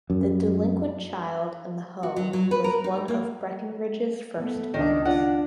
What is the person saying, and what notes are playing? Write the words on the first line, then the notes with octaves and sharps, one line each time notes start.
"The Delinquent Child and the Home" was one of Breckinridge's first books.
F#2
F#4
F#3
F#3
B4
A#4
D#4
A#3
A3 B3
C#2 D#3 D4
D4 F4 F#5